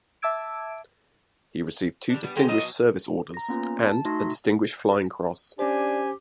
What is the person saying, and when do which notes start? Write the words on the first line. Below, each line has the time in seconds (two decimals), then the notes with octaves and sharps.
He received two Distinguished Service Orders and a Distinguished Flying Cross.
0.22 E5 A5 D6 E6 G#6 D7
2.10 G3 D4
2.23 G3 B3
2.36 D3 G#3 G5
2.48 B2 F#3 C5 D#5
3.34 A#5 A#6
3.49 A#3 B3 C#4 F4
3.85 A5
4.05 A3 D#4 F#4 E5 C6 A#6
5.59 C#4 D4 G4 C5 G#5